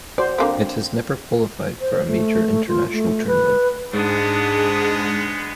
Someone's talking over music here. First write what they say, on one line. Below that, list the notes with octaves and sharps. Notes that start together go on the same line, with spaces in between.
It has never qualified for a major international tournament.
F#4 C5 D5
D3 A#3 C4
C5
A3
F4
A3
B4
G#2 G#3 B3 D4 G#4 D#6